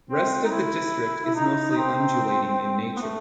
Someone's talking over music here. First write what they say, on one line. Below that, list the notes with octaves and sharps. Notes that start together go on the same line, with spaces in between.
Rest of the district is mostly undulating in nature.
C4
D#4
E4
E4
D#4
D#4
C4
B3
A3